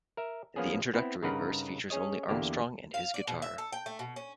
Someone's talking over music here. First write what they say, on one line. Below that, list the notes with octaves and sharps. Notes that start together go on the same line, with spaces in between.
The introductory verse features only Armstrong and his guitar.
A#4 E5
F3 A#3 B3 C#4 G#4
B3 C4 E4
G2 C#3 D#4 A#4 B4 F#5
C#4 G#4 C#5 D#5
E2 D3 A#3 G4
F5
D5
B2
E5
A4
G5
A3
B2
C#4